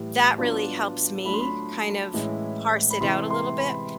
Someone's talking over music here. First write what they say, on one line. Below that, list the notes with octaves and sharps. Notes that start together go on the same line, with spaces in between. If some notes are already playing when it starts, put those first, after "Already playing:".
that really helps me kind of parse it out a little bit,
Already playing: A2 E3 G3
F#3 B3 D4 F4
F#3 A3 D4 F4 B5
C6
B5
A2 E3 G#3 C#4 E4
B5
C3 E3 G#3 C6
C6
B5